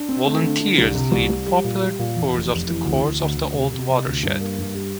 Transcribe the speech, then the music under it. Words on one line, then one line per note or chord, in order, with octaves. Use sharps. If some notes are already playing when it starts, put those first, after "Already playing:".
Volunteers lead popular tours of the course of the old watershed.
Already playing: D4
C4
A3
D3
D3
C2
C3
C2
C2
G3
A#2
G3
A#2
E2
F1
F1
E3
D2
D2
D2
D2
C3
C3
C3
D2
G2
A#3
G2
G3